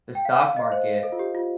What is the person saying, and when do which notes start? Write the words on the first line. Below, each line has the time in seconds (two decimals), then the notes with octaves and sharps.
the stock market
0.15 G5
0.25 F5
0.41 F5
0.57 D#5
0.72 C5
1.03 A4
1.12 F4
1.19 G4
1.35 F4